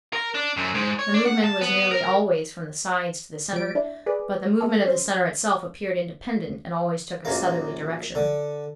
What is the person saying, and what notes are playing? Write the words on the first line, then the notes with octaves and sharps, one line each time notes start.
The movement was nearly always from the sides to the centre; but the movement of the centre itself appeared independent, and always took a southerly direction.
A#4
D4
F#2
G#2
C#5
D4
F#5
A5
B3
A#4
F3 D7
D4 E4
G#4 B4 D5
G#3 A3 A4
C#4 C5
A#1 F#2 A#3
D3